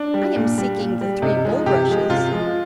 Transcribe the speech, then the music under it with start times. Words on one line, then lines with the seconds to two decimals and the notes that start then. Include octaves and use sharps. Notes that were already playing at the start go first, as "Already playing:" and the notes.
'I am seeking the three bulrushes.
Already playing: D4
0.14 G3
0.36 A#2
0.58 G3
0.79 A#2
1.01 G3
1.22 C3 D#4
1.45 F3 G#3
1.66 C3 G4
1.88 F3 G#3
2.09 C3 F4
2.32 F3 G#3